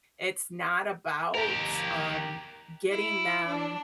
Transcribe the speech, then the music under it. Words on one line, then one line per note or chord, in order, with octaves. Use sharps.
it's not about, um, getting them,
G4 A#4
E4
D4